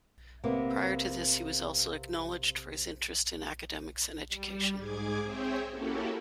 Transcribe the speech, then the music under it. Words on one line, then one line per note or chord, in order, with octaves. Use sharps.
Prior to this, he was also acknowledged for his interest in academics and education.
C3 A#3 B3
G3
G#2 G#4 D6 G#6
C4 G#4 C5 C#5 E5 G5
A#3 C#4 E4 F#4 G4 A4